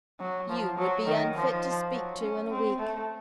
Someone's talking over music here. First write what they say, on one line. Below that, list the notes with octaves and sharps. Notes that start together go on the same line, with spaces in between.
You would be unfit to speak to in a week.
F#3
F3
F#3
D#3
F3
F#3
C#4
C4
A3